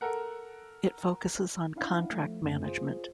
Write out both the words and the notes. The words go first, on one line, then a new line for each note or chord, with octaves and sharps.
It focuses on contract management.
A4 A#4 F#5
C#4 D4 E4 F5 F#5
F3 A3
F#2 C#3 A3 C4 C#4
F4 G#4 C5